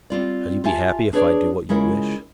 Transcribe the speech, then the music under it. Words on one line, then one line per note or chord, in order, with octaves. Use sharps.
"Shall you be happy if I do what you wish?"
G3 C4 F4 D5
F4 G4 E5 G#5 A5
D4 G#4 B4 C#5 D5
C#3 G#3 E4 F4 A#4 C#5